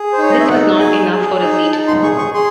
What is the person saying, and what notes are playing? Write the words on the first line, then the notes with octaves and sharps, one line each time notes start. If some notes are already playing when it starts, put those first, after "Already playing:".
This was not enough for a seat.
Already playing: G#4
C5
D#4 C#5
D#5
E5
D#4 F#5
G#4 G#5
G#4
D#4
D#4 A5
C6
G#4 C#6
C#6
G#4 C6